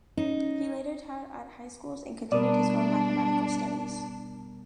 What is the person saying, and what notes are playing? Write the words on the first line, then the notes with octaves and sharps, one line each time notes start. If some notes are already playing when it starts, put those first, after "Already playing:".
He later taught at high schools and continued his own mathematical studies.
C#4 D#4
B2 G3 D4 A#4 D5